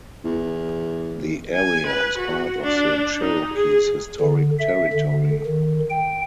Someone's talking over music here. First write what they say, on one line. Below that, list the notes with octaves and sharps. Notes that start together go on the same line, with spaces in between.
The area is part of the Cherokees' historic territory.
E2
G#5
B4
F#4
D4
D#4
G#4
D3
E5
D3
D#3
G5